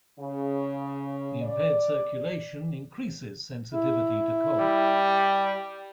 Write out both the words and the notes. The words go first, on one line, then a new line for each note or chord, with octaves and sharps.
The impaired circulation increases sensitivity to cold.
C#3
D5
E4
G3